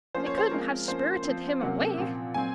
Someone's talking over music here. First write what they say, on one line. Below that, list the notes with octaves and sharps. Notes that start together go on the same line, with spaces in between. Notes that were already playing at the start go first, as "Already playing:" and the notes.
"They couldn't have spirited him away."
F3 A#3 C#4 C5
C#5
C5
F3 G#3 C4 A#4
F3 A#3 C#4 C5
F3 C4
C3 F#3 A#3 C#4 F#5
A#2 F3 C4
A#2 F#3 C4 G#5